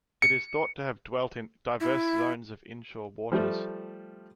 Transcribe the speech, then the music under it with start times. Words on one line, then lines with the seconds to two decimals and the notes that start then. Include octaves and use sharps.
It is thought to have dwelt in diverse zones of inshore waters.
0.22 C#7
1.80 E4
3.32 F3 G3 A3